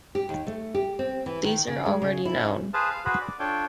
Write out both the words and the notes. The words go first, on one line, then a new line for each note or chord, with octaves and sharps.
These are already known.
G4
D#2
A3
G4
C4
E3
D#3
C#3
G#3
C#3
E4
C#4
G#4 B4 C5 F5 A5
F5
F#4 G#4 B4 C5 B5
D5
D4 F4 A4 C#5 G5